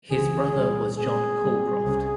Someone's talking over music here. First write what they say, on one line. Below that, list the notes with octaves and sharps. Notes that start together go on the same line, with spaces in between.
His brother was John Calcraft.
C#2 C#3 E3 G#3 C4 G#4
A#2 G3 C4
A#2 G#3 C4 G#4
A#2 G3 C4
C2 C3 G3 C#4